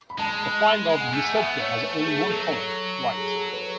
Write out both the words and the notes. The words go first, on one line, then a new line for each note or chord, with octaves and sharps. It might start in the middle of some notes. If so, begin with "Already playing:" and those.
The flag of Nutopia has only one colour: white.
B5
G#3 A5
B5
B5
G#3 G#5
F#5
G#5
A3
G#5
B3 E5
F#5
A3 C#5
B4
G#4
F#3 A4
G#4
A4
B4